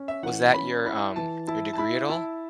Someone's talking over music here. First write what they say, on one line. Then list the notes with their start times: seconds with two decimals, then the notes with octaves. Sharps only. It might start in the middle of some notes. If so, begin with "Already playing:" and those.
was that your, um, your degree at all
Already playing: C#4
0.08 E5
0.23 E3 F#5
0.54 C#4 B5
0.85 E4 B5
1.16 E3 A5
1.47 E4 A5
1.73 A5
1.78 E4 B5
2.09 E4 A5